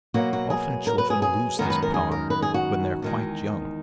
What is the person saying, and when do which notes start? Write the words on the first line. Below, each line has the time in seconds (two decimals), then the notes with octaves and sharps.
Often children lose this power when they are quite young.
0.14 B2 F#3 A#3 F#4
0.33 F#4
0.50 G#4
0.87 A#4
0.98 B4
1.10 G#4
1.22 G#4
1.59 F#2 D#3 G#3 B3 A#4
1.70 B4
1.82 A#4
1.94 G#4
2.11 A#4
2.30 B4
2.42 G#4
2.54 F#4
3.02 E2 D#3 G#3